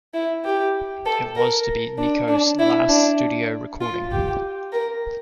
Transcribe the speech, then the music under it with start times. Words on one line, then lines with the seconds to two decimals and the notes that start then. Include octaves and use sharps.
It was to be Nico's last studio recording.
0.14 E4
0.45 G4
1.06 A4
1.36 A#4
1.98 D4
2.28 D4
2.59 E4
2.89 D4
3.81 F4
4.12 G4
4.73 A#4